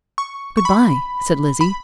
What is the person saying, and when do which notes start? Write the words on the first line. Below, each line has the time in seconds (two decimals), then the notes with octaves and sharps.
"Good-bye," said Lizzie.
0.18 C#6
0.57 C#6
0.65 B5
1.61 B5